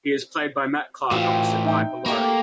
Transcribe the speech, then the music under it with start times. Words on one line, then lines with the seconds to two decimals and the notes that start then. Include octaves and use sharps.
He is played by Matt Clark opposite Piper Laurie.
1.11 A2 E3 C4 F4 F#4
1.65 D#4 E5 G5
2.06 A3 A#3 G4 A#5